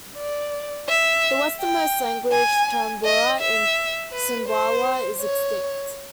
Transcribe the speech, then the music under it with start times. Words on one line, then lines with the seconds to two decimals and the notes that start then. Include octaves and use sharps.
The westernmost language, Tambora in Sumbawa, is extinct.
0.17 D5
0.89 E5
1.61 G5
2.32 G#5
3.05 D#5
3.41 E5
4.12 B4
4.49 C5
5.21 C#5